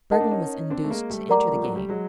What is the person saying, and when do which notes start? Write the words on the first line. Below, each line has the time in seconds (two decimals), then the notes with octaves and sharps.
Bergmann was induced to enter the game.
0.12 D#4 A#4 D#5 F#5 A5
0.20 D4
0.31 C#4 D#4
0.70 C4 D4
0.84 A3
0.90 G#3 A#3
1.10 G3 A3
1.29 A#4 D5 F#5 A#5 D6
1.51 F3
1.63 F#3
1.76 G3
1.89 F#3 G#3